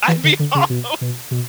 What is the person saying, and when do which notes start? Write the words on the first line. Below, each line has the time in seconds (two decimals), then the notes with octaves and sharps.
I'd be all over
0.08 E3
0.24 D3
0.39 D3
0.55 C#3
0.70 B2
1.01 B2
1.31 B2